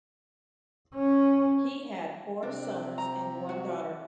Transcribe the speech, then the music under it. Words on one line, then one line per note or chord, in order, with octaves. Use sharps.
He had four sons and one daughter.
C#4
C3 C4 D4
A#5
F#4